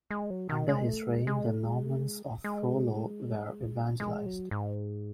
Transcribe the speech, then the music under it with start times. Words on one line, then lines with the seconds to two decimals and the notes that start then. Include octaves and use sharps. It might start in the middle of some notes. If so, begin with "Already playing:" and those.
Under his reign the Normans of Rollo were evangelized.
0.11 G#3
0.30 F#3
0.49 D#3
0.69 G#3
0.88 A3
1.08 G#3
1.27 G#3
1.46 A3
1.66 G#3
1.86 A3
2.05 G#3
2.44 G#3
4.00 G#3
4.26 F#3
4.51 G#2